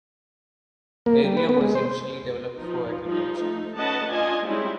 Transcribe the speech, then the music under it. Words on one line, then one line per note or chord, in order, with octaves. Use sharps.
The area was initially developed for agriculture.
A#3
G3
B4
B3
G#3
C5
F3 D#4
F3 G3 D#4
A3 D#4
A3 C#4 B4 D#5 F#5 A5
D4 F4 D#5 G#5
G3 G#3 C4 C#4 D#4 E4